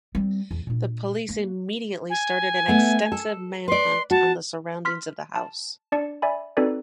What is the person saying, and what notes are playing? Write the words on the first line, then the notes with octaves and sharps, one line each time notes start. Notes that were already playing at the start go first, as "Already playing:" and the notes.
The police immediately started an extensive manhunt on the surroundings of the house.
G3 C4
E2
A#2 D4
A#3
G#5
A3 B3
A4
B4 D5 C6
F#4 A5
C6 F6 B6
A5
D4 D5 A5 C#7
D5 E5 G#5 B5
C4 D#4 F#4 A4 B4 D5